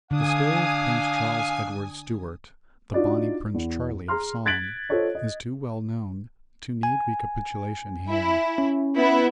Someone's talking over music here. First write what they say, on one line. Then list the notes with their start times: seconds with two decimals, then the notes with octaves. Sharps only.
The story of Prince Charles Edward Stuart, the "bonnie Prince Charlie" of song, is too well known to need recapitulation here.
0.11 D3 D4 F5 G#5 D#6
2.93 D4 D#4 F4 F#4 D5 D#5
3.54 E2
4.08 G#4 A#5 C6 F6
4.46 F#6 G#6 A6 B6 D7 F#7
4.89 F4 A4 C5 C#5 D#5
5.15 D#5
6.83 G#5
8.08 E4
8.58 C#4
8.96 B3 E4